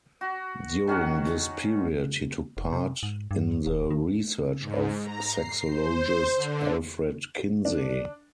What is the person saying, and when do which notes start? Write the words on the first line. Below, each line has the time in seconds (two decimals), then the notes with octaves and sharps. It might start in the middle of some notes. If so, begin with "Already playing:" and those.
During this period he took part in the research of sexologist Alfred Kinsey.
0.21 F#4
0.87 D#3 C#4 F#4 F#5
2.57 F1
2.73 C3
3.03 G#2
3.31 G2
3.67 E1
3.91 D#3
4.60 G#2
5.02 A#5
5.30 C7
5.67 C5
6.35 D3
7.65 D4